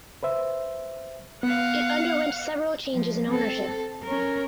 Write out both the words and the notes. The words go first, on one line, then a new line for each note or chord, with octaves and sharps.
It underwent several changes in ownership.
B4 C5 E5
B3 F5 F#5
F3
C4 A4
C#4 A#4